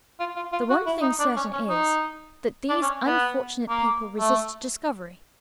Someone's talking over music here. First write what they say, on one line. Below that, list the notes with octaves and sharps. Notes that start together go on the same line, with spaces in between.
The one thing certain is, that these unfortunate people resist discovery.
F4
F4
F4
F#4
E4
D#4
D4
C#4
C#4
D#4
D4
C#4
B3
A#3
A3